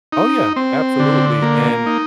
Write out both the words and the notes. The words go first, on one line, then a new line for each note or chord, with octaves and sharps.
Oh, yeah. Absolutely, and,
D#4
C4
D3
A#3
D#4